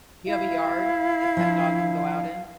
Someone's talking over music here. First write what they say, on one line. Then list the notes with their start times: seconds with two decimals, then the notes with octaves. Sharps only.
You have a yard that that dog can go out in?
0.27 E4 F5
1.37 F3 D4